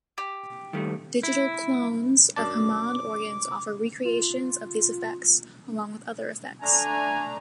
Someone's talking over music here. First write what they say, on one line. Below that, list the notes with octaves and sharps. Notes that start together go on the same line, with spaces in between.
Digital "clones" of Hammond organs offer recreations of these effects, along with other effects.
G4
D#3 G3 A3
E4
F#2 D4 A5 D6
F4
A3 D4 G#5 A#5